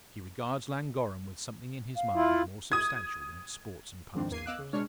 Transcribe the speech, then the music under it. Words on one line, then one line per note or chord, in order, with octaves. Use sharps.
He regards Llangorren with something in his mind more substantial than its sports and pastimes.
F5
E4 F4
D#6 G#6
F2 G#2 D#3 C4 D4
E2 A#3 G#6 C7 D#7
B3 D#5 F5 D6 E6 F#6
C#3
B2 G#3 D4 C#5 F6